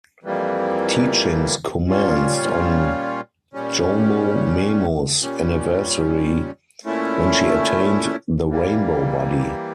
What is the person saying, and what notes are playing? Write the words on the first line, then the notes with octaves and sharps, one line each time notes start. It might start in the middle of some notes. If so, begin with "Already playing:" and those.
Teachings commenced on Jomo Memo's anniversary, when she attained the rainbow body.
F2 E3 G3 A#3
A#2 G3 C#4 F4
A#2 G3 C#4
A#2 G3 C#4
A#2 A3 C#4 E4
E3 G3 A#3